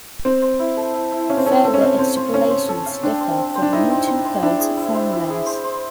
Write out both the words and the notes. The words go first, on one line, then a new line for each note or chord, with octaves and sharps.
Further extrapolations differ from Newton Cotes formulas.
C4 C5
C5
E4
A4
E4
E4
C#4 F5
C4
C#4 A4
C4 A4
C#4
C4 F5
C4 C5
C5
C#4 F5
C5
A4
F5
C4 D4
C4
C4
C5
D4
D#4 E4
C4
C5
C4
D4 E4
G#4
E4
C5
E4
G#4
C5
C5